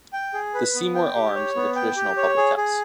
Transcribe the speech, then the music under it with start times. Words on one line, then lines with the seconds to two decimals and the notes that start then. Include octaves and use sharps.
The "Seymour Arms" is a traditional public house.
0.13 G5
0.34 G#4
0.55 B4
0.75 B3
0.95 G5
1.15 G4
1.35 C#5
1.56 B3
1.76 G5
1.96 G4
2.17 C#5
2.37 G#4
2.57 G#4